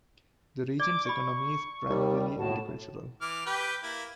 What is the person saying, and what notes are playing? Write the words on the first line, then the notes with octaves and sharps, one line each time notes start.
The region's economy is primarily agricultural.
D5 D6
D5 B5 C#6
D#2 G3
A2 F#4 A5
E3 D6 F6
G4 B4 G5
A#3 E4